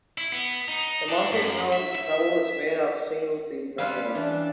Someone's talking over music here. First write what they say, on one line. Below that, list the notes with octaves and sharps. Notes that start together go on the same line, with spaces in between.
The Marshalltown trowel is made of a single piece of metal.
E4
B3
D#4
D4
F#2
E5
E5
G3 C#4 F4 B4 E5 F5
E3 D4